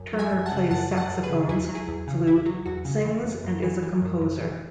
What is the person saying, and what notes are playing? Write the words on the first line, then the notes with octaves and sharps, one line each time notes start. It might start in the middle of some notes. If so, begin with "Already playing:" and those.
Turner plays saxophones, flute, sings and is a composer.
Already playing: F#2
F#3
E5 G#5
F#2
F#5 A5
C#3
F#2 F#5 A5
F#3
F#5 A5
F#2
G#4 B4
C#3
E2 E4 G#4
F#3
E4 G#4
E2
C#3
E2 E4
F#3
E2 F#4
C#3
E3
F#2
F#2
E3
E3
F#2
F#2
E3